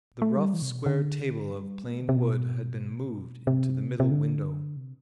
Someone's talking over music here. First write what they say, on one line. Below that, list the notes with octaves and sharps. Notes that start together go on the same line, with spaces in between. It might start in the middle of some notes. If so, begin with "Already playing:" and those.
The rough square table of plain wood had been moved into the middle window.
A3
G3
E3
C3
B2
D3
G3
B3
A3
D3
C3
B2
C3
C3
D3
C3